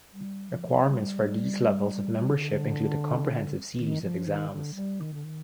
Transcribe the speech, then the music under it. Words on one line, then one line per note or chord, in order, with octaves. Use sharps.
Requirements for these levels of membership include a comprehensive series of exams.
G3
F3
G3
D3
D#3
F3
D#3
D3
G3
D#3
D3
D#3